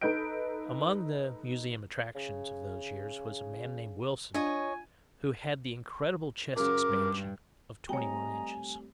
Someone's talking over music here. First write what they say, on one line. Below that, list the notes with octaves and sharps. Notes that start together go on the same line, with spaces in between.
Among the museum attractions of those years was a man named Wilson who had the incredible chest expansion of twenty-one inches.
D#4 A4 B4 D#5 G6 D7
C#3
D4 F4 C#5 D#5 G#5
F#2 C#3 A#4 D6
G2
G3 A3 C4 C#5 D#5 G5 G#5 A#5